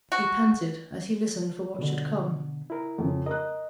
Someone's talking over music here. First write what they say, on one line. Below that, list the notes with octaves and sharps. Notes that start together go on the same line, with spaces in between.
He panted as he listened for what should come.
F#4
B2 D3
E4 A#4
F2 C#3
A#4 D#5 F#6